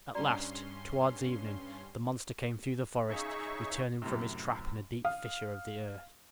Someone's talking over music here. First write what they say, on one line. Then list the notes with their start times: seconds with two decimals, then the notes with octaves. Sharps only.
At last, toward evening, the monster came through the forest, returning from his trap in a deep fissure of the earth.
0.15 G2 C#4 F#4 D5 A#5 C6
3.09 C#3 D#4 G#4 E5 C#6
4.02 F#2 A2 C3
5.05 F5 D#6